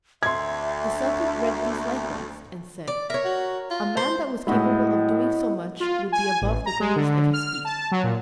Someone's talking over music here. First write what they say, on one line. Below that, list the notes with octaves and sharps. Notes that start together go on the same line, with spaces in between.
The sultan read these likewise, and said, "A man that was capable of doing so much would be above the greatest of his species."
D2 E5 C6 G#6
D5
A#4 C#5 E5
F#4
F4
C5 C6
A2 G#3 E4 F#4 D#5
F4
G#5
A1
A#5
G#3
D3
F6
A5
F#3
A#2